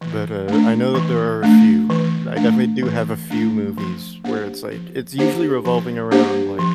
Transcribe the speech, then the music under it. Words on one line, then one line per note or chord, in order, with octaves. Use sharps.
But, uh, I know that there are a few. I definitely do have a few movies where it's, like it's usually revolving around like
E3
A3 D4
E3
A3 D4
E3
A3 D4
E3
A3 D4
F3
A#3 D4 G4 C5
F3
A#3 D4 G4 C5
F3
A#3 D4 G4 C5
F3